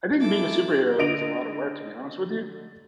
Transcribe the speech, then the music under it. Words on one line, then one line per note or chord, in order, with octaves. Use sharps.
I think being a superhero is a lotta work, to be honest with you.
G#3 D#4 E4 A4 D6
D3 D#5 D7 F7